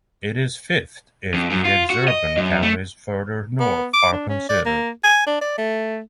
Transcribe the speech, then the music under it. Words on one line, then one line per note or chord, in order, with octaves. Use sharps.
It is fifth if the exurban counties further north are considered.
F2
F#2
F4
F#4
D#5
F#2
A3
B3
D6
D4
C#4
D5
A#3
G#5
D4
D5
A3